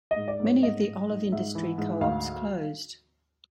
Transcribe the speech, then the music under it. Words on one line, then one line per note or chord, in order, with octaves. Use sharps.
Many of the olive-industry co-ops closed.
D#5
G#2
D5
G#2
C#5
G#2 D#5
G#2
G#2
G#2 E5
E3
G#2
D2 F5